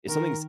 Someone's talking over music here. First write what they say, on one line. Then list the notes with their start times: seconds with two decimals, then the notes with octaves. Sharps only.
If something's
0.08 D#3 A#4